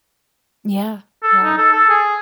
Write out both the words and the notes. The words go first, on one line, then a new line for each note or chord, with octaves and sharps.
Yeah. Yeah.
A4
D#4
A4
A4
G#4